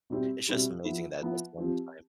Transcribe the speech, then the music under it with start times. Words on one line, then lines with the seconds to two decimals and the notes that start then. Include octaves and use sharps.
it's just amazing that that's the only time
0.10 B2 G3 C4 E4 G4
0.47 B2 G3 C4 E4 G4
0.84 F3 B3 E4
1.22 F3 B3 E4
1.58 F3 C4 G4